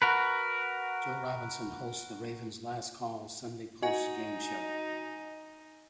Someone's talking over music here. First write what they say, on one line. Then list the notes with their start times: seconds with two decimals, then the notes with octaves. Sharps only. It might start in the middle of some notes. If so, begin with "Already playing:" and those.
Joe Robinson hosts the "Ravens' Last Call" Sunday post-game show.
0.02 F#4 A#4 B4
3.83 D#4 F#4 D#5 G#5